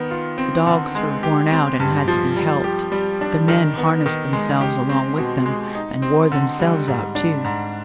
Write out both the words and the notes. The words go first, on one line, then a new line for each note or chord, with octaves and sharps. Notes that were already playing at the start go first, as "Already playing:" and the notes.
The dogs were worn out, and had to be helped; the men harnessed themselves along with them, and wore themselves out too.
Already playing: D#3 B3
F4
C4
D3
G#3
G4
C4
G2
F3
G3
G4
G3
D4
D#3
B3
D#3
G#3
G4
C4
B2
G#3
D#4
C4
D3
G3
G#2
D4
G#2